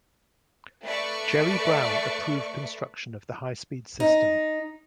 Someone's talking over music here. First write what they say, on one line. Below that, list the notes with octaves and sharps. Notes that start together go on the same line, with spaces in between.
Jerry Brown approved construction of the high-speed system.
A3 B4 D5 E5 C#6
D#4